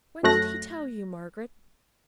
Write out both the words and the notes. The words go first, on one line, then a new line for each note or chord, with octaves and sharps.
'When did he tell you, Margaret?'
F#2 F#3 A3 F#6 A#6